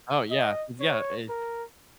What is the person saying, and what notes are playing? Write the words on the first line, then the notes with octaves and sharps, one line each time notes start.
Oh, yeah, is yeah, i
D#5
C#5
A#4